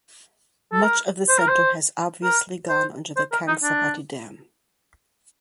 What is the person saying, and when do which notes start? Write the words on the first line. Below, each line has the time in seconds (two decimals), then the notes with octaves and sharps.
Much of the centre has obviously gone under the Kangsabati dam.
0.72 A4
0.82 A#4
1.29 C5
1.39 A#4
1.48 C5
2.23 A#4
2.69 C5
3.16 C5
3.32 A#4
3.47 D#4
3.63 D4